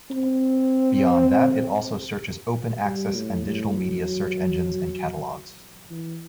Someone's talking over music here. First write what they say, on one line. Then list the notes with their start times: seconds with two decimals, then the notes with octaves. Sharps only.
Beyond that it also searches open access and digital media search engines and catalogs.
0.11 C4
2.85 G3
3.16 A2
3.46 A2
3.77 F#3
5.90 E3